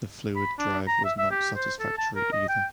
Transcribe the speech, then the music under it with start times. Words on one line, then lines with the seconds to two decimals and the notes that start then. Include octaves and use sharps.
The fluid drive was not satisfactory either.
0.36 B5
0.58 D4
0.87 A#5
1.05 E5
1.18 E5
1.31 G4
1.56 C5
1.80 A4
1.98 A5
2.15 A#4
2.32 D#5
2.49 G5